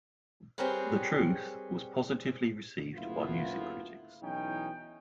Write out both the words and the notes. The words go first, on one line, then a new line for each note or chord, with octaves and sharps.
"The Truth" was positively received by music critics.
G3 C4 G#4 A#4 B4 C#5
F#1 D2 A2 B3 E4 F4
B1 E3 C#4 D#4 E4 G5